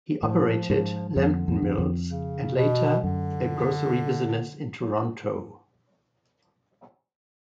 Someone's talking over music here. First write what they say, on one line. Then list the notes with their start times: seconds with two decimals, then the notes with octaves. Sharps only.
He operated Lambton Mills and later a grocery business in Toronto.
0.23 A2 F3
0.70 G#2 F3
1.09 F3
1.16 F2 D3
1.48 F2
1.62 F2
1.78 F2
2.10 C#3
2.56 B2
3.04 F#2 D3
4.81 F#3